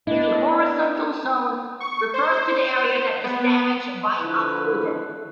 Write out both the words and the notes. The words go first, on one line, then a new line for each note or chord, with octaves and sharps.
The horizontal zone refers to the area that is damaged by a pollutant.
B3 D4 E4 D#5
C#6
C5
B3
D3 F3 E4 B4